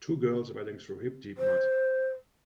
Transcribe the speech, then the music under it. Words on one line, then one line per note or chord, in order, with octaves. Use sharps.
Two girls wading through hip deep mud.
C5